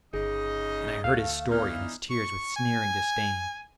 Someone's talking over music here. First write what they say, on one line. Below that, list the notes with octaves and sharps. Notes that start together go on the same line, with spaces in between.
And I heard his story and his tears with sneering disdain.
G1 C#3 D#4 G#4 D#5
D2 A3 F5
E3 B3 D4 D#4 F6
C#6
G#5